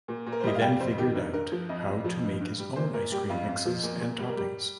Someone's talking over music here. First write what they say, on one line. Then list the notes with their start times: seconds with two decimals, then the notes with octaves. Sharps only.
He then figured out how to make his own ice cream mixes and toppings.
0.08 A#2
0.26 A#2
0.32 A#4
0.40 C5
0.43 G3 D#5
0.55 F5
0.62 G3 G5
0.80 F2 C5
0.98 D#3 G4
1.15 G2 A#4
1.33 G2 A#4
1.52 F3
1.69 F2 D#5
1.87 F2
2.04 F3
2.23 G2
2.41 G2
2.59 G3
2.76 A#2 C5
2.94 A#2 A#4
3.12 G3 G4
3.29 F2 F4
3.48 F2
3.65 F3
3.83 A#2
4.01 A#2
4.19 G3
4.29 A#4
4.37 G3 G4